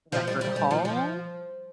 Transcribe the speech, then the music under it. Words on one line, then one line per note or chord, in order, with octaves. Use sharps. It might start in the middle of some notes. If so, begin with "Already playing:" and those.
Record haul?
F3
G3
G3
G3
F3
F3